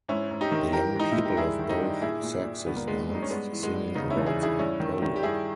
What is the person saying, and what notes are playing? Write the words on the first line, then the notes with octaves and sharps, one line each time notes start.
The young people of both sexes danced singing about the pole.
G#2 C#4 E4
G#2
D#4 G4
D#3
E3 G4 A#4
G#2 D#4
G#2 E4
G4
G2 E4 G#4
D#3
E4
D#4 G4
G2
A#2 E4 G#4
A#2
A#2
G2 B3
A#3
G2 G#3 B3
G2 D#4
C#4
G2 G#3 B3
E3
G#3 B3
G2
C#3 B3 D#4
C#4 E4
E2
E4 G#4
E3
E4 G#4
G2 C#4 E4
D#3
D#3
G4
G2 E4 G#4